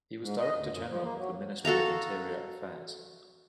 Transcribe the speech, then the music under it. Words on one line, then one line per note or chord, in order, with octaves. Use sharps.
He was Director General of the Ministry of Interior Affairs.
G#2
D#5
D2
F#2
F3
A#3
F#3
F#4 A4 F5 A#5